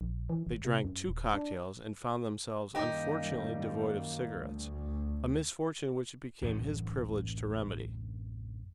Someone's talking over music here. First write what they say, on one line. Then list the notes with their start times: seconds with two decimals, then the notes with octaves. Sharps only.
They drank two cocktails and found themselves unfortunately devoid of cigarettes, a misfortune which it became his privilege to remedy.
0.01 A#1
0.30 E3
0.47 G#1
0.65 C3
0.85 F#2
1.09 D#1
1.34 D4
2.75 F#2 D#3 G3 A#3 D#4 G4
4.44 D2
6.42 A1 F#2 A2 D3